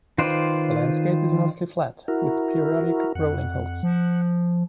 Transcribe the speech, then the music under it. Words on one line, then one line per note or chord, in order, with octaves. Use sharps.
The landscape is mostly flat, with periodic rolling hills.
D#3 F4 B4 C5 D5
E4 F#4 A#4
F2 F#5
F3